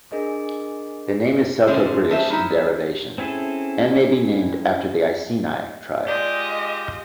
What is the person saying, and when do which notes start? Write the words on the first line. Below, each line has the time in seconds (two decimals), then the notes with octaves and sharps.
The name is Celto-British in derivation, and may be named after the Iceni tribe.
0.12 D4 G#4 A#4 D#5
1.67 D3 F#3 G#3 C#4 C5 E5
2.10 F#3 A3 B3 C#4 C5 E5
2.30 G3 D#4 E4
3.18 C4 C#4 E4 G#4 A4
6.08 G#3 F4 G4 D5 D#5